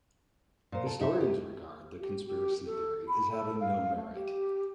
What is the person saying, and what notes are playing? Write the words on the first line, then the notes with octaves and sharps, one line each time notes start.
Historians regard the conspiracy theory as having no merit.
A#2 C5
A4
D#4 E5
G4
G4
G4
A4
B5
A4
F5
A3
G4